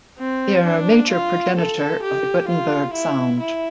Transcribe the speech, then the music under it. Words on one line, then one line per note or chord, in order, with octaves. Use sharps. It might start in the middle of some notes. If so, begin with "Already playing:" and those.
They are a major progenitor of the Gothenburg sound.
C4
D4
F4
A4
G4
F4
E4
E4